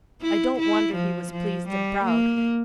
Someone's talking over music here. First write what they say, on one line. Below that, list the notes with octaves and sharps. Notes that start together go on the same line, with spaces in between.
I don't wonder he was pleased and proud.
E4
E4
F3
F3
G3
A#3